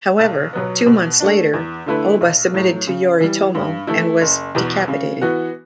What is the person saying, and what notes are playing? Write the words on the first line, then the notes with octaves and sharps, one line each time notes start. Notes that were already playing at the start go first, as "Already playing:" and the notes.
However, two months later, Oba submitted to Yoritomo and was decapitated.
B1
B2 F#3 B3
B2
A3 D4
E2
D3 A3 E4 B4
B1
A2 F#3
C#3
E3 G3
G2
E3 A3 E4
F#1
E2 B2
C#3
E3 B3 F#4